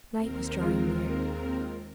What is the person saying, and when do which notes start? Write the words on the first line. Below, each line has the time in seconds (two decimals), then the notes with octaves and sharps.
Night was drawing near.
0.16 D#2 C4 A#4
0.61 G#3 F4